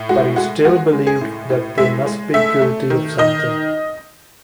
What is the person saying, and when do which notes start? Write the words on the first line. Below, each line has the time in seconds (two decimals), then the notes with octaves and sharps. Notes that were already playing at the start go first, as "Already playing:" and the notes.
But he still believed that they must be guilty of something.
Already playing: A2
0.09 G#3 F#4
0.36 G#3 F#4
0.65 G#3 F#4
0.93 G#3
1.07 G#4
1.21 A2
1.50 A2
1.78 G#3 E5
2.06 G#3
2.34 A3 E5
2.62 A3
2.90 D#3
3.18 D#3 D#5